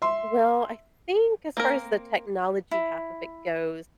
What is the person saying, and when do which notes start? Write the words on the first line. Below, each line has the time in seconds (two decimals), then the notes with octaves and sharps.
Well, I think as far as the technology half of it goes,
0.02 E5 C6
1.57 A#3 C4 A#4
2.71 E4